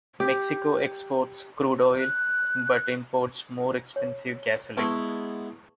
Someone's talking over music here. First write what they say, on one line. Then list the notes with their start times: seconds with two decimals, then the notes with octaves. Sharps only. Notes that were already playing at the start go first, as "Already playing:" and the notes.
Mexico exports crude oil, but imports more expensive gasoline.
0.20 G4
1.98 F#6
3.96 C#5
4.77 G#3 B3 E4 B4 A5 C#6